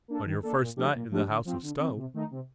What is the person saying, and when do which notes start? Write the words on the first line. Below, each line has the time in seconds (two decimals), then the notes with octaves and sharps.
"On your first night in the House of Stone."
0.08 A#3 D4 A4
0.25 D#3
0.43 A#3 D4 A4
0.60 A#2
0.77 F3 A3 D4 G4
0.94 A#2
1.11 F3 A3 D4 G4
1.28 D3
1.45 F3 C4
1.62 D3
1.79 F3 C4
1.96 C3
2.14 D#3 A3 D#4
2.31 C3